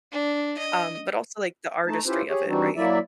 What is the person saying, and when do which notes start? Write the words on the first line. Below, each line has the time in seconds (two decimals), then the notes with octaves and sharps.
Um, but also, like, the artistry of it, right?
0.12 D4
0.58 D#5
1.87 A3 D#4 A5
2.06 C#4 E4 F4 G4 B4 C5
2.29 G4 G#4 C#5
2.48 E3 G3 C4 D4 D#4 F#4
2.77 F#3 A#3 E4 D5 E5